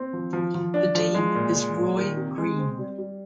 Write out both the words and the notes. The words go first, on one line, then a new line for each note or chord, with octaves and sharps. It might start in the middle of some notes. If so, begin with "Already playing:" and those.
The Dean is Roy Green.
Already playing: C4
F3
F3
F3
D4
F3
G#3
A#2
G#3
A#2
D#3
C3
G#3
C4
G3
G3